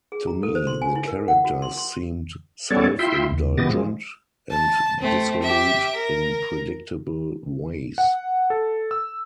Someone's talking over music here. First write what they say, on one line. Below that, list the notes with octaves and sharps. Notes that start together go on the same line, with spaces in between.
To me, the characters seemed self-indulgent and dissolute in predictable ways.
G#4
A#5
A4
C5
C6
G#5
E4
A#4
F#5
F#4
C6
C6
G3 B3 C#4 A4 C#5 D5
E4 F4 E5 G5 C6
D#2
A#2 E3 B3 G4 D#5 A6
F3 G#3
A5
A3 C4
G4 E5
A#4
F#5
A4
E6